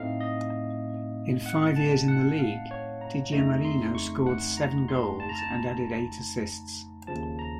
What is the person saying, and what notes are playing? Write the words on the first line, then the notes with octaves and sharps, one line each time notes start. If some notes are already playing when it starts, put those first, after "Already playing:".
In five years in the league, DiGiamarino scored seven goals and added eight assists.
Already playing: A2 A3 C4 D#4 D#5 F5
D#5
F#5
A5
F#5
F5
C#5
A#5
F2 C#3 A3 D#4 A#5
C6
C#6
F#5
A#5
C6
A5
A#5
A5
D#2 C#3 F3 A5
A#5